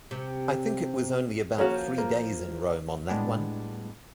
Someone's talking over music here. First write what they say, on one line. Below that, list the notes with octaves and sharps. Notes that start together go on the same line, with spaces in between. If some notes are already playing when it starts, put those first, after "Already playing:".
I think it was only about three days in Rome on that one.
C3
F3 A#3 C#4 F#4
A#3
A2 G3 G#3 B3 D4